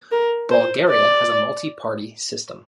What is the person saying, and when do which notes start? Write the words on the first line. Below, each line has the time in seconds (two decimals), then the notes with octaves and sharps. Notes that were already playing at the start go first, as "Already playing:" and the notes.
Bulgaria has a multi-party system.
0.12 A#4
0.51 C5
0.89 D5